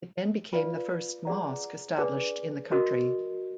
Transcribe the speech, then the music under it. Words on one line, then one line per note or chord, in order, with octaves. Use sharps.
It then became the first mosque established in the country.
F4 B4 D5 F5
G#4 D5 F#5 A#5
D4 G#4 B4 D5
F#4 A#4 D#5